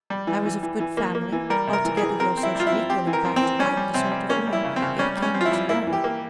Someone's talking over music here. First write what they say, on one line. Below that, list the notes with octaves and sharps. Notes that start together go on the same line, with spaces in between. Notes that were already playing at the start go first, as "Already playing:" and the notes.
I was of good family--altogether your social equal, in fact, quite the sort of woman it became you to marry.
G3
E3
E3
E3
E3
A#3
A#3
E3
G3 A#4
C3
A#4
E3
G#4
E3
C4 A#4
C4
E4
G3 F4
E4
C4
C4 G4
E3
A#4
C4
C4
E3
G3 C#4
G3
C3 C4
G3
A#3 C#4
G3
E4
C#3
C4
C#3
G3 C#4
G3
C#4
C4
F4
E4
G3
A#3 E4
E3
G4
A#3